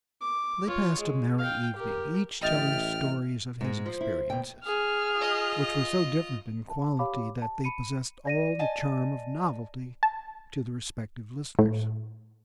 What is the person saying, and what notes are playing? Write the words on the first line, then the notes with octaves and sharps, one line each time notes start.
They passed a merry evening, each telling stories of his experiences, which were so different in quality that they possessed all the charm of novelty to the respective listeners.
D6
F4 C#5
G#3
F5 G5
G4 A#4
A1 D#5 E5 G5 F6 G6 A6
G#2 G#3
F3
E4
D2 B2 G5
G#4 F6
F4 D#5
A5
G4 C#5 F5 B5 D6
A5
B5 C#7 D#7
D5 A#6 D#7
D#5 G#5 A5
A5
A2